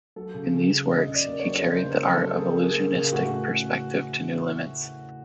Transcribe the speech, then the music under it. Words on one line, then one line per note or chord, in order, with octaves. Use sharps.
In these works, he carried the art of illusionistic perspective to new limits.
F#3 A4
C#3
C#3
F#3
C#3 D#5
C#3
D5
A#3
C#5
F#3
C#3 C5
A#3
A#4
F#3
A4
F#3
A#3 G#4
A#3
A#3
C#3
A2 F#4